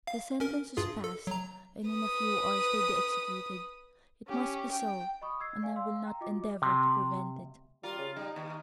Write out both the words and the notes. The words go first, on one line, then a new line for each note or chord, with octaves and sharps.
The sentence is passed, and, in a few hours, will be executed; it must be so, and I will not endeavor to prevent it.
F5
C#4 A#4
G2 F4 G#4
A4
F#3 A#5
B4 D#6
C#4 G4
G5
D#5 B5 C#6 D#6
E6 G#6 C7
D5 F5 G#5
F5 C6 E6
G5 A#5
F4 F#4 D#5 D6
C3
G3 F4 A#4
C#3
G3 D#4
D#2